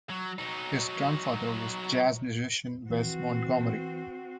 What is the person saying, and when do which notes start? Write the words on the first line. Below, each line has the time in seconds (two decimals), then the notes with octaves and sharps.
His grandfather was jazz musician Wes Montgomery.
0.10 F#3
0.38 F#3 D#4
2.90 E3 C4 F#4